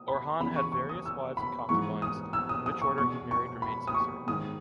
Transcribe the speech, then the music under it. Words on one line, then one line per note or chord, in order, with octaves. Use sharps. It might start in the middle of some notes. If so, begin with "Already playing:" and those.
Orhan had various wives and concubines; in which order he married remains uncertain.
Already playing: D#6
B5
E2 C#3 E3 B5
C#6
C#6
D#6
E6
B5
G#2 E3 C#6
D#6
E6
D#6
D#6
C#6
E2 B2 C#6
C#6
B5
D#6
C#6
G#2 D#3 D#6